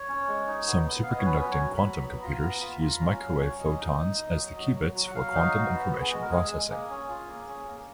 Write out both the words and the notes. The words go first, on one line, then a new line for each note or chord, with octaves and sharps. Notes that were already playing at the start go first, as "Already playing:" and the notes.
Some superconducting quantum computers use microwave photons as the qubits for quantum information processing.
Already playing: C#5
C#4
G#3
D#4
B3
B3
F5
B3 D#5
C#5
C#4 B4
F#3 B4
C#5
F#3
B5
F#3
B3 B5
B5
F4 A#5
B3 A#5
F4 B5
F4 A#5
B5
C#4 A#5
F#3 F5
C#4 C#5
F#3 D#5
D#4
D#4
D#4
F#3
F#3
F#3
F#3
F#5
F#3 F5
D#4
F#4
B3
F#4
G#4
G#3 F#4
A#4
G#3 G#4
G#3
A#3 G#4
C#4
F4
A#3
C#4
A#3